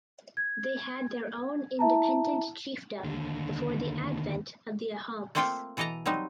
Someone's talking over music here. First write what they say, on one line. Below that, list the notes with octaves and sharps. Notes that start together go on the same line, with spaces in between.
They had their own independent chiefdom before the advent of the Ahoms.
G#6
E4 E5 A5 A#5
D#2 D3
A3 A#3 C4 F4 A4 G5
B2 E3 A4 D#5 A5 A#5
F#3 G3 C4 D#4